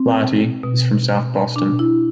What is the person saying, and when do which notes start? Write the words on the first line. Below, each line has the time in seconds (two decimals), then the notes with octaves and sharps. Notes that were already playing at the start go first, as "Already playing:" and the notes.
Flaherty is from South Boston.
Already playing: C4
0.63 B2
1.56 B2 D4
1.79 E4